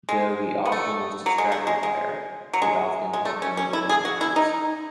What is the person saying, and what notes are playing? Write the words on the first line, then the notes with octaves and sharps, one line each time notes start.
Though he often was distracted by her, she often helped him to win matches.
G#3
B3
A3
F#3
G#3
A3
G#3
G#3
F#3
G#3
G#3
A3
C#4
C#4
E4
G#4
F#4
E4
D#4